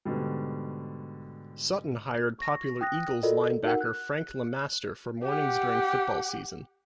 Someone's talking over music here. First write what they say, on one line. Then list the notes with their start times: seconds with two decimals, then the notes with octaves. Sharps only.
Sutton hired popular Eagles linebacker Frank LeMaster for mornings during football season.
0.05 G#2 B2 D3 G3
2.39 C#6 A#6
2.81 G5 D#6 F#6 A#6
3.23 F4 F#4 A4 A#4 D5 D#5
3.63 D#4 F#4 A#4 F#5
3.81 F#6
5.23 G4 F#5